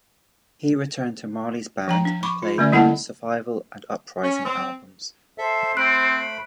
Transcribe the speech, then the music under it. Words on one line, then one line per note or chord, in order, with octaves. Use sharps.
He returned to Marley's band and played on the "Survival" and "Uprising" albums.
F3 G5 A#5
D4
B5 C#6 D6
F4
D3 A3 C#4 D5
G3 A#3 E4 A4 F#5 A5
C#4
C4
A4 C5 E5
A3 C4 B5 F#6 D7